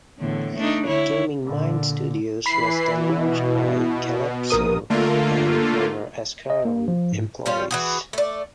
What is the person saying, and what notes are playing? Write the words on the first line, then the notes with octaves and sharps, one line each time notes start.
Gaming Minds Studios was then launched by Kalypso and former Ascaron employees.
E2 A2 D3
A3 D4 D#4
D3 E4 C#5
A#2 D3
E3 B5 C7
B2 E4
A#1 A#4 D#6
D3 A3 A#3 F4
D#5
A#3
F3
G#2
G3 C#4 F4
E3 F#4 G#4
A3 D5